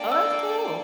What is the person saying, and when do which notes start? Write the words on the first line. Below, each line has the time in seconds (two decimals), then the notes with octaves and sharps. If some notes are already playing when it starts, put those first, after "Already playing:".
Oh, that's cool.
Already playing: A#3 D4 A4 D5 G5
0.12 E6